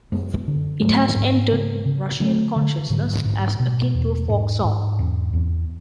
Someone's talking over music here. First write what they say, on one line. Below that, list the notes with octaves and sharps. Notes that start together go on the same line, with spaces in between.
It has entered Russian consciousness as akin to a folk song.
F#2 G#3 B3
D3
G#2 F#3 A3
G#2
C#3 G#3 B3
C#3
D3 F#3 A3
D3
G#2 D3 F#3
G#2
B2
E2
G#2
G#2
E2
E2